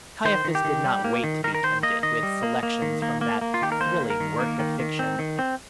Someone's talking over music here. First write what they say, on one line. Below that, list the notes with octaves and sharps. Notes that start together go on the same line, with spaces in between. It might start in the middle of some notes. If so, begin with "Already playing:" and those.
Caiaphas did not wait to be tempted with selections from that thrilling work of fiction.
D#3 C5
D#3
G4
D#3
G3
A#3
D#3
D#3 A#4
A#4
D#3 C5
A#3 D#5
D#3 D#5
G3
A#3
A#3
D#3
A#3
A#3
A#3
F4
D#3 G4
A#4
A#3 C5
D#3
A#4
D#3
A#3
D#3
D#3
C4
D#3
C4